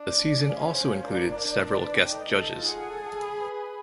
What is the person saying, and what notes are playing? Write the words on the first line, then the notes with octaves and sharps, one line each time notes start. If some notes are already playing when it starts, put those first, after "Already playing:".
The season also included several guest judges.
Already playing: D4
E4
G#4
C#4 F5
C5
F5
D4 A#4
C#5
A#4
D5
B4
G5
D#4 A4
A4
F4
G#4 F#5
A4
A4
B5
B4
B5